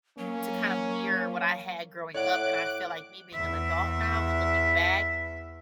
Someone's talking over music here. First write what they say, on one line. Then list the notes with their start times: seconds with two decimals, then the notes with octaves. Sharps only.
to kind of mirror what I had growing up, and I feel like me being an adult now and looking back,
0.18 F#3 A#3 C#4
2.14 A2 C#5 D5 F#5 D6 F#6 D7
3.33 E2 E5